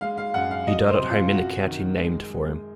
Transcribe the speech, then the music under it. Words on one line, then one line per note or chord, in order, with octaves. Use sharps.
He died at home in the county named for him.
G#3 F5
F5
F#2 F#5
F5
F#3 D#5
C5
C3
F4
F#2 F#4
D#3
G#3
G#3